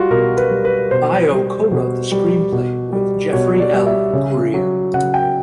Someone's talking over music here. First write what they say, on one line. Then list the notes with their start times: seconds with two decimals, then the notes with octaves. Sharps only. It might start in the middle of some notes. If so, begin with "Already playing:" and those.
Baio co-wrote the screenplay with Jeffrey L. Gurian.
Already playing: G3 F4 F#4
0.11 B2 A#4
0.37 B4
0.51 G3
0.65 B4
0.91 B2 C5
1.32 G3
1.71 B2
2.12 G3
2.52 B2
2.93 G3
3.33 B2 C#5
3.60 D5
3.74 G3
3.86 E5
4.13 C#3
4.54 F#3
4.94 C#3 F#5
5.14 G5